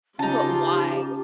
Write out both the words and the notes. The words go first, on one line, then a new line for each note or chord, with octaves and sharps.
But, why?
C#3 D#4 F4 G4 A5